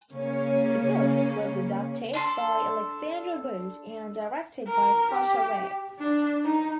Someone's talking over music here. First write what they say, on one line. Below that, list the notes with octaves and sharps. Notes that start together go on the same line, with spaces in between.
The book was adapted by Alexandra Wood and directed by Sacha Wares.
C#3 A#3 C#4
D4 A4 C6
A#4
G4
D4
D#4